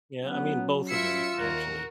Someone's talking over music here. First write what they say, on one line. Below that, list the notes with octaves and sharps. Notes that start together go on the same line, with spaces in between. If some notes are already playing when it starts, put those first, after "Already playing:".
Yeah, I mean both of them actually.
F#3 B3 C#4
E4 F4 E5 E6 C#7
D#2 F#4 A#4